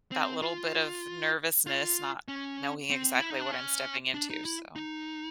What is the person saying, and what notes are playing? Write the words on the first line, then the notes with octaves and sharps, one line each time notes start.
that little bit of nervousness not knowing exactly what I'm stepping into, so.
C4
F4
F4
C#4
C4
E4
D#4
D4
C#4
D4
D#4
E4
D#4